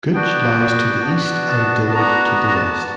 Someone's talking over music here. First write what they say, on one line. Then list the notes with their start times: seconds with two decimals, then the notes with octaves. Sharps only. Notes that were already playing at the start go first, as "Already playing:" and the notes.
Gooch lies to the east and Dillard to the west.
0.14 B3 D4 F#4 G5
1.04 B3 D4 F#4
1.49 A5
1.90 A5
1.95 B3 D4 F#4 A#5
2.25 A#5
2.48 A#5
2.55 A5